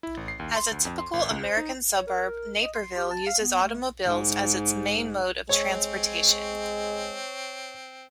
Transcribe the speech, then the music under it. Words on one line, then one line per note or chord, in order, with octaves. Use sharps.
As a typical American suburb, Naperville' uses automobiles as its main mode of transportation.
E4
A1
C7
D#2
C6
D2
F2
C6
G#1
C#2
C5
D#4
C#5
A#4
D#5
C6
G4
A5
F5
B3
A3
G#2
G#3 C4 C#5